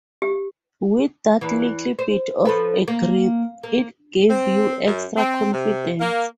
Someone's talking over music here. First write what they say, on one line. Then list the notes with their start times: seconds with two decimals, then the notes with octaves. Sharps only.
With that little bit of a grip, it gave you extra confidence.
0.22 G4
1.41 E2 E3
1.99 C5
2.45 F3 A4 B4
2.88 A#3
3.63 A#3
4.30 C4
4.86 F#2
5.17 C4
5.53 C3
6.01 A#3